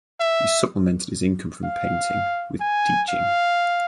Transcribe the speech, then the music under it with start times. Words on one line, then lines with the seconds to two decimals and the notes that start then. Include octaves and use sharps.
He supplemented his income from painting with teaching.
0.20 E5
1.64 F5
2.61 G#5
3.09 F5